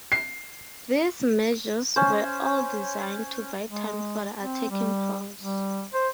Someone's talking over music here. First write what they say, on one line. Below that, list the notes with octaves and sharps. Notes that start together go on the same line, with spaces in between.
These measures were all designed to buy time for the attacking force.
C7
C#4 C5
G#3
C4
G3
G3
C5